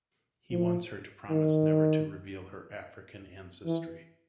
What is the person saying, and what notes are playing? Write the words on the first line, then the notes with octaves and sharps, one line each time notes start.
He wants her to promise never to reveal her African ancestry.
F3
D#3
E3